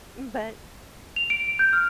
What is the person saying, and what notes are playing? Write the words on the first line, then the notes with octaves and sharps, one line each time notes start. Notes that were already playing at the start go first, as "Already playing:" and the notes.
M but
F7
D7
G6
F6